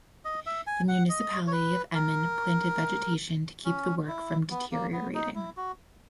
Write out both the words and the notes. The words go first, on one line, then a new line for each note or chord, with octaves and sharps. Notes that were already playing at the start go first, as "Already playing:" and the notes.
The municipality of Emmen planted vegetation to keep the work from deteriorating.
D#5
E5
G#5
F#5
D#5
C#5
B4
A#4
C#4
E4
B3
A#3
B3
D#4
E4
F#4